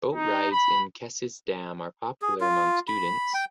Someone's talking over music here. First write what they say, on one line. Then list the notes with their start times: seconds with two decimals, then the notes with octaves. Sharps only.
Boat rides in Kesses dam are popular among students.
0.15 D#4
0.51 B5
2.22 G#4
2.41 F4
2.88 B5
3.34 G5